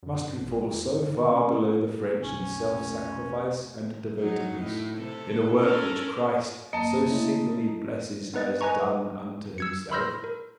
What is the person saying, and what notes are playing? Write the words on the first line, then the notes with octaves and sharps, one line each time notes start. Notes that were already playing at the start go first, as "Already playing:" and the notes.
Must we fall so far below the French in self-sacrifice and devotedness, in a work which Christ so signally blesses as done unto Himself?
F#2
G2
A#1
G#3
E2
G#2
D3
D#3
C#4
C#4
F1 B1 C#4
F#3 D#4
A2
C3 A4
C#4 A4 A#4
G#1 F#2 A#3 D#5 A5
A3 C#4 E4
B3 D#4 B4 D#5 A6
B4 D#5 G#5 A#5 C#6
E6 G#6 C#7
B5 C6 E6 F6 G6 A#6
A#4